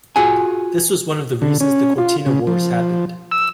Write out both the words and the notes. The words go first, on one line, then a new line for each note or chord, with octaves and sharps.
This was one of the reasons the Cortina Wars happened.
F4 F#4 G#4 G#5
D3
C#4
F4
C#3
F3
E6